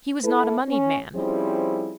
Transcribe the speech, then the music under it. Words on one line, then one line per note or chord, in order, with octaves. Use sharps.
He was not a moneyed man.
E4 A4 B4
C#4
F3 G3 C4 C#4 E4 G#4